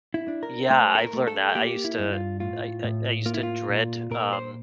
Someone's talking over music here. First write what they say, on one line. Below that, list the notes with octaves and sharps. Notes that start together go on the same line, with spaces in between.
Yeah, I've learned that. I used to I I I used to dread, um
E4
D4
A#4
A3 C5
A4
A#4
A3
A4
A#3 G4
E4
G2
F4
A2 F4
A2
A#3 F4
E4
F4
A#2
A#2 A#4
C5